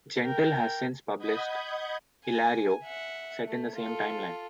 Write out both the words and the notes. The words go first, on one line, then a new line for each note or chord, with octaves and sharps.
Gentle has since published "Ilario", set in the same timeline.
A#4 G5
D#5 F#5 B5 D#6 G6 G#6
G#5
E5 F#5
A3
F4 A4